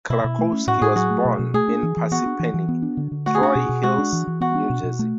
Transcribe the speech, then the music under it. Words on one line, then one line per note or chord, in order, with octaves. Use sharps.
Krakowski was born in Parsippany-Troy Hills, New Jersey.
B2 E4
B2
A3
C#4
A2 F#4
A2 G#4
F#3 F#4
A3
B2
B2
A3 G#4
D4
E3
E3
B3 F#4
D4
E3
E3
B3
D4
D3
D3
A3 F#4
G#4
D4 F#4
B2
B2
G#3 F#4
D4
E3
E3
B3 F#4
D4
B2
B2
A3